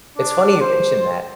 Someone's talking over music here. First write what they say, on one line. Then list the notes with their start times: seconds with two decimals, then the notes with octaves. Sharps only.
It's funny you mentioned that.
0.18 D4
0.61 C5